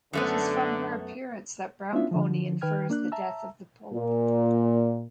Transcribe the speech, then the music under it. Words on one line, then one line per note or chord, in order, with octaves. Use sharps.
It is from her appearance that Brownpony infers the death of the Pope.
F#2 D3 A3 B3
B3 C#4 D4 E4 F4 E5
D3 F3
D#3 B4 G5 F6 G#6
A#3 D4 F#6
E5 A5 A#5 E6
A#2